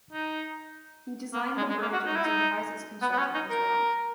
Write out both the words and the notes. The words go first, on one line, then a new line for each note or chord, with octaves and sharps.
He designed the bridge and supervised its construction as well.
D#4
A#3
G#3
G#3
A#3
F#4
D#4
E4
D#4
B3
B3
C#4
D#4
A#4